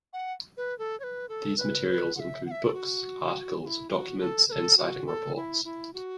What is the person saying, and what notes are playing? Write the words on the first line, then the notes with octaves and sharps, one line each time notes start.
These materials include books, articles, documents, and sighting reports.
F#5
B4
A4
C#5
B4
A4
B4
B4
F#5
E5
F#5
E5
A4
F#4
F#4
E4
F#4
A4
B4
A4
F#4
A4
E4
E4
F#4